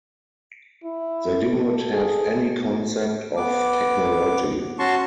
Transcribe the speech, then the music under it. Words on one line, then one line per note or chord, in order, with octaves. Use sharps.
They do not have any concept of technology.
E4
A4
G#4
B3 D6
C#4 F#4 A5 C6 C#6